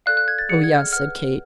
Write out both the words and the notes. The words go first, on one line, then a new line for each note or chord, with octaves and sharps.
"Oh, yes," said Kate.
A4 D5 F5 F#6
F#6
G#6
A6
G#4 D5 F#5 C#7
G#6
F6
B4 F#5 F6